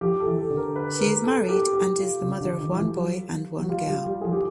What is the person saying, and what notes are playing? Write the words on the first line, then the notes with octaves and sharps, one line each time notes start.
She is married and is the mother of one boy and one girl.
F3 G4
A4
E3
A4
D3
A#4
B4
A#4
A4
G4
G4
F4
C#3
D3
D#3
F3
E3
F#3
F#3
G3 F4
G3
G3
F3 G#4
G4